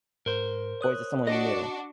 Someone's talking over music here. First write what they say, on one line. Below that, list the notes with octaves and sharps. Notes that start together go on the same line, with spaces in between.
Or is it someone new?
G#2 A#4 C5
C#5 D#6 F#6
D4 F#4 D#5